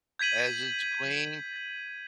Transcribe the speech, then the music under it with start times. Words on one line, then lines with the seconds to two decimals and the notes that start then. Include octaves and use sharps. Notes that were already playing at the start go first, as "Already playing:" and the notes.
As it's clean,
0.19 G6 G#6 B6 D#7 F#7